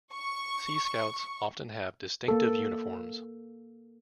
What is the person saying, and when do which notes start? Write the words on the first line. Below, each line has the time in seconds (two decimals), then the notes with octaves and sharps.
Sea Scouts often have distinctive uniforms.
0.14 C#6
2.28 A#3 A4